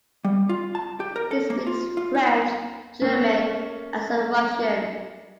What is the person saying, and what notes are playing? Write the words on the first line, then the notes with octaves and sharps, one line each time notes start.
He speaks French, German and some Russian.
G3
F4
A5
G4
A#4
A4
A#3
F4
F4
D#4
A#3 C#4